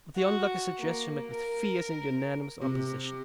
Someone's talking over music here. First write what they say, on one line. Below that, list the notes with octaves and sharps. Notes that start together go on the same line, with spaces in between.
But the unlucky suggestion met with fierce and unanimous opposition.
F#4
A#3
A#4
C3